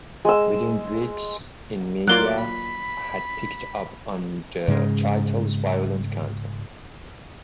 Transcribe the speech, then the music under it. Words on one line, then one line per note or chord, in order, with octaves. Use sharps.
Within weeks the media had picked up on the title's violent content.
G#3 E6
F#3 A#3 F4 D5 D6 F#6 G7
B5
G#2 C#3 G#3